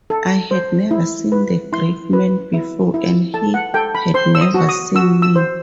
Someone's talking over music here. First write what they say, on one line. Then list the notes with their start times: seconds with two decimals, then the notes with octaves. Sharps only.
I had never seen the great man before, and he had never seen me.
0.10 A4
0.51 C5
0.91 E4
1.32 B4
1.72 E4 C6
2.13 B4
2.54 E4
2.94 E4
3.34 A4 A5
3.54 F#5
3.74 A4 G5
3.95 B5
4.14 C5 C6
4.35 E6
4.41 D#6
4.54 F#4
4.69 D#6
4.95 F#4 E6
5.22 E6
5.36 C5